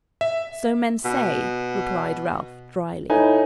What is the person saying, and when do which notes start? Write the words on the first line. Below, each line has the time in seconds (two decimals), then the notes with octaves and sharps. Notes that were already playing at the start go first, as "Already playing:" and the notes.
'So men say,' replied Ralph, drily.
0.21 E5
1.05 B2
3.10 A2 D#4 B4 G#5